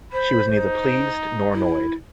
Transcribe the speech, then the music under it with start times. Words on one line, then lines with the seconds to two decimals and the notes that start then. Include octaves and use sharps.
She was neither pleased nor annoyed.
0.13 C5 B5
0.57 D#4
1.53 E4